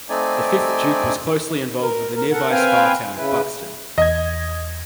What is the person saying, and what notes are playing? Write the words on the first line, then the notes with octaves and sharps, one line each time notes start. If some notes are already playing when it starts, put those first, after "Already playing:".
The fifth Duke was closely involved with the nearby spa town of Buxton.
A3 C4 D#4 D5 G#5
A#4
A#4
A4 A#4 F#5
C4 B4 F5 G5 G#5
C#3 E4 B4
E2 D#5 G#6